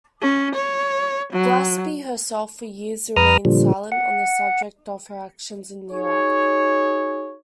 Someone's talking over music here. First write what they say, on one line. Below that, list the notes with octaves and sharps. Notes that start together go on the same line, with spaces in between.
Glaspie herself for years remained silent on the subject of her actions in Iraq.
C#4
C#5
F#3
F2 B4 A#5 D#6 F6
A#2 D3 F3 G3
F#5
D#4 F#4 G#4 C#5